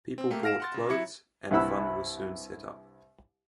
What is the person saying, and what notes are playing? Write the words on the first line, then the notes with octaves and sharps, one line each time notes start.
People brought clothes, and a fund was soon set up.
C4
A3 A#3 G4
F5 F6 A#6 D7 E7
F#5 C6 A6
C#3
F#3 E4 C#7
C2 G2 E4 F#5 B5 E6